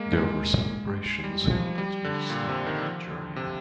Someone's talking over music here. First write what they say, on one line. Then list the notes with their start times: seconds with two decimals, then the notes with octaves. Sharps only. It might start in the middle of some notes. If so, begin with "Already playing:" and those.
There were celebrations held at each stop of the journey.
Already playing: G#3 A#3
0.17 G#3
1.24 G3
1.51 F3
1.78 G3
2.04 D3
2.30 A#2
2.49 C3
2.67 D#3
2.83 F3
3.10 D3
3.36 C3